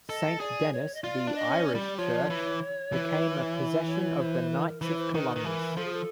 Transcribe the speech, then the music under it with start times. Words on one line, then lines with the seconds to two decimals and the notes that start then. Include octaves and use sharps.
Saint Dennis, the "Irish" church, became a possession of the Knights of Columbus.
0.08 A4 D#5
0.40 G#4 D5
0.72 C#5
0.94 D#5
1.03 F4 D5
1.27 D4
1.35 D#5
1.50 C#4
1.67 D5
1.75 G3
1.98 F3 C#5
2.30 E3
2.93 E3
3.87 C#5
4.19 C5
4.50 A#4
4.82 E3 C5
4.89 C#5
4.98 C5
5.14 D#3 B4
5.36 D#3
5.45 E3 A#4
5.77 F3 A4
5.85 G#4
5.93 A4